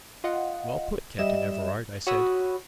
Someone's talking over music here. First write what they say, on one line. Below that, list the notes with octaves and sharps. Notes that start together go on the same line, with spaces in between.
"Well put, Captain Everard," I said.
F4 D#5 F#5
G3 D#5 E5 E7
F#4 C#5 B5 D#6 E6 F#6